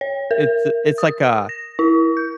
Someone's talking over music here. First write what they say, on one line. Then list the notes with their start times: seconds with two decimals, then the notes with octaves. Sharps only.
It's it's like a
0.01 C#5
0.31 A#4
0.98 D#6
1.49 A#6
1.79 E4
2.17 G6